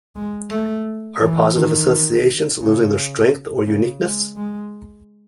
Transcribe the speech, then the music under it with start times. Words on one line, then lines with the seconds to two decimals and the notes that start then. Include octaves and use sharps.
Are positive associations losing their strength or uniqueness?
0.16 G#3
0.50 A3
1.21 E3
1.56 D#3
2.61 C#3
3.67 C#3
4.01 G#3
4.36 G#3